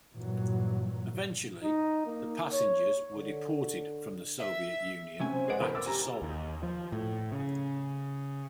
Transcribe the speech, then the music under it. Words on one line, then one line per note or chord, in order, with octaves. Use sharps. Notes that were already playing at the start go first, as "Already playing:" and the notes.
Eventually, the passengers were deported from the Soviet Union back to Seoul.
G2 A#2 E3 F#3
D#4
A#3
C#5
D3
E5
C3 F#3 A3 C#4 G#5
C5
G#3 G#4 B4 D5 F#5 D7
G1 E3 A#4 B5
D6 E6 A6
G4 G#5 A#5
D#2
F3
A2
C#3